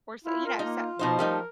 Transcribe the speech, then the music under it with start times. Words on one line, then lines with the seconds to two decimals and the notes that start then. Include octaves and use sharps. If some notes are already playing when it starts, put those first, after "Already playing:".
or so you know, s
0.24 E4 F4
0.46 A#4
0.59 A#3 D#4
0.99 B2 F3 D#4 C5
1.19 G3 A3 D#4 A#4